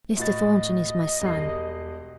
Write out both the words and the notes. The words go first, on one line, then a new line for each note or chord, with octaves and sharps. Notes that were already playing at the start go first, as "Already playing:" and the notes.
Mr. Thornton is my son.
A2 F#4 D#5 A6
E1 G3 C7